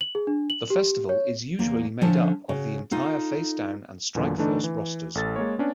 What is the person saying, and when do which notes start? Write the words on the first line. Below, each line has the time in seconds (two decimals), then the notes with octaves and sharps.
The festival is usually made up of the entire Facedown and Strike First rosters.
0.01 F#7
0.15 G#4
0.27 D4
0.50 F#7
0.70 G4
1.09 C#5
1.59 E2 A#3
2.01 D3 F3 C#4 A4 A5
2.49 C#3 F#4
2.91 D#4 F4 A4
4.15 E2 A#2 D3 F#3
4.38 D3 E3 A3 D4 D#4
4.64 E3
5.15 A1 A4 A6
5.36 G#3 A#3 C#5
5.58 B3 C#4 D4